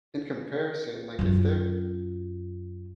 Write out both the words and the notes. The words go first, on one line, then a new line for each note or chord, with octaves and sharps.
in comparison, like if they're
F#2 F4